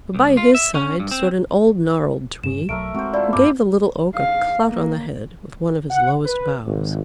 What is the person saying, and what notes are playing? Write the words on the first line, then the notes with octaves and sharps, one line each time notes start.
But by his side stood an old gnarled Tree, who gave the Little Oak a clout on the head with one of his lowest boughs.
C2
F4
E5
C#4
G2
C4
G2 C#3 E7
B1 F#3 A3 A#4 E5 D7
G#3 C4 F#4 C5
F3 E4 D5
G2 B3 C4 D6
F5
A#3
F#5
B4
G#1